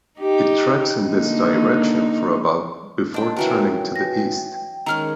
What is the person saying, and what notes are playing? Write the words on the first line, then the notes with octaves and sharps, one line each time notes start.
It treks in this direction for about before turning to the east.
D#4 G4
D3 A#3 D#4
D4 D#5 G5 A5 C6
E3 F#3 F#4 A#4 B4 G5 G#5
A#6
D#3 G#3 C#4 G#4 A#5 F6